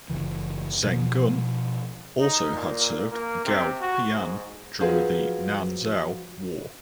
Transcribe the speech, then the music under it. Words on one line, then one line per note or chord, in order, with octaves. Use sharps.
Zeng Gun also had served Gao Pian during the Nanzhao war.
F#1 D2 C#3 E3
B2 F3
D#4
A#2
A#3
C3
F#4
G#2
F3 F#3 G#4 B4 F5 A5